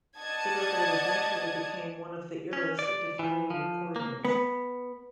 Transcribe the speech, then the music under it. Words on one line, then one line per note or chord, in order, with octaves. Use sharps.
The record eventually became one of the era's defining recordings.
D5 D#5 F#5 A5 D#6 G#6
C#4
D5
E3
F3
A#3
B3